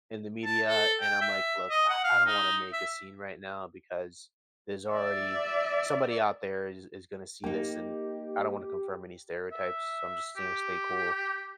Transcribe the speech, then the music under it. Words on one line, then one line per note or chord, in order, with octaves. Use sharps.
in the media, and I'm like, "Look, I I don't wanna make a scene right now because there's already somebody out there is is gonna see this and I don't wanna confirm any stereotypes, so I'm just gonna stay cool."
A5
A4
G5
E5
D#5
F#5
F5
D#4
E5
D5 E5
A#3 D#4 G4
E5
G4